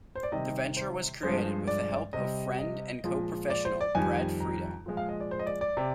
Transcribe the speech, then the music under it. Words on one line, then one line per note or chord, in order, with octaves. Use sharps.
The venture was created with the help of friend and co-professional Brad Friedel.
C5
D5
C3 D#3 G3 D#5
C5
G2 F3 G#3 C5
D5
C3 G3 D#5
D#5
A#2 F3 G#3
D5
C5
D5
F2 D#3 G3 G#5
A#5
A#2 F3 G#3
F5
D#5
D5
C5
D#5
D5
D5
C3